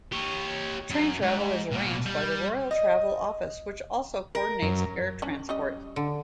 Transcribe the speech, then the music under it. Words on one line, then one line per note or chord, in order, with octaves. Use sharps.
Train travel is arranged by the Royal Travel Office, which also co-ordinates air transport.
G4 C#5
F#2
G#2
B2 A#3
G3
D#5
A#4
F#2
C#4 D4
G3 C#4 D#5
D3